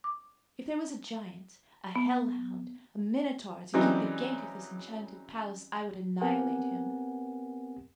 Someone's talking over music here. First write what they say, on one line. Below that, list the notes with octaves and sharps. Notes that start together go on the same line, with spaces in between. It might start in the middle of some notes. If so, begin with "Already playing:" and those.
If there was a giant, a hell-hound, a minotaur, to keep the gate of this enchanted palace, I would annihilate him.
D6
B3
C#3 E3 F#3 G3 C4 D#4
B3 C4 G4 A#4 F#5 G#5